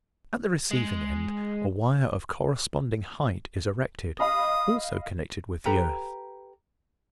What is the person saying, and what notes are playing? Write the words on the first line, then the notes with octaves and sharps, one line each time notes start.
At the receiving-end a wire of corresponding height is erected, also connected with the earth.
G#3
D#5 F5 B5 D#6
G4 A4 B4 A#5